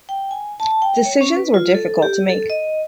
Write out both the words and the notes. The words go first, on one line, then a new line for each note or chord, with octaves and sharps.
Decisions were difficult to make.
G5
G#5
A5
G5
C#5
C#4
B4
F4
A4
G4
A4
D#5